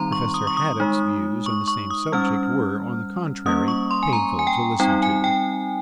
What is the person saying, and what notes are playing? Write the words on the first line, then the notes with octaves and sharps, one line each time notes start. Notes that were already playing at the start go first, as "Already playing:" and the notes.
Professor Haddock's views on the same subject were, on the contrary, painful to listen to.
Already playing: D#3 G3 C4 D#4 A#5 C6
C#6
D#6
C#6
D#6
G#3 D#4
C#6
C#6
D#6
G3 C#4 F6
G3 A#3 C#4 D#6
C#6
C6
G#5
A#5
G#5
G5
G3 C4 D#4 G5
G#5
G5